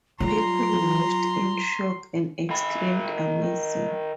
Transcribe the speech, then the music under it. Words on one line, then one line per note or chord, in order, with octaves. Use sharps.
People watched in shock and exclaimed: Amazing!
F#3 G3 F4 A#5 C6
D#3 B5